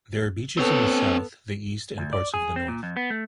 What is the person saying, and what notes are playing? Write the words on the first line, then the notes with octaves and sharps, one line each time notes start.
There are beaches in the south, the east and parts of the north.
B3 C4 A4 C#5
D2
D5
G#4
C4
A#2
F2
B3
A3